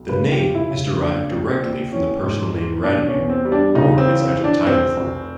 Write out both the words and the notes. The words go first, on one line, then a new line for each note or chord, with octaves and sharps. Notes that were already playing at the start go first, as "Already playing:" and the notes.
The name is derived directly from the personal name "Radomir" or its adjectival form.
Already playing: B1
C#3 B4
G4
F2
E4
C#3
A#1 D4
A#1
C4
A#1
E3 C#4
G#2
E3
B2 D4
C#4
E2
C4
G3
D4
C#3 D#4
C4
E3
C4
E3
D4
F1 C4
F1